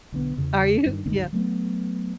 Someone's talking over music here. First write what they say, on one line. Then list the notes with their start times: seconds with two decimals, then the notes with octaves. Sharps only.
Are you? Yeah.
0.12 B1 D3 B3
0.37 E2 C#3 E3
0.86 G2 D#3
1.06 G1 C#2 D#3
1.33 F#3 A3 B3